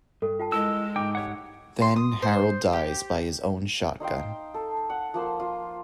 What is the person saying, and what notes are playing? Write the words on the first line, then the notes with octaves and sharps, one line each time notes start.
Then Harold dies by his own shotgun.
G2 A4
F4 G5 A5
G#3 E4 A#4 D#5 A5 E6
G#2 B2 D#4 G5 D6
G4 C#5 F#5
C6
D#6
C5
G4
D#4 C5 F5 G5
A4
F#5
F3 A#3 C5 C6
F4